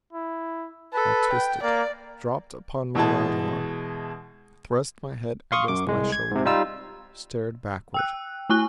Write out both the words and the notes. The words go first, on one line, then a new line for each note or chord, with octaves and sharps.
I twisted, dropped upon my right arm, thrust my head against my shoulder, stared backward.
E4
A4 B4
G5
A#3 D5
B2 E3 G#3 A5
F5 C6 C#6 D#6
F#2 D6
C2 G#3
G#6
G#2 C3
G3 D#4 F4 E6
G5 E6 F#6
A3 E4 G#5 C#6 F#6 G7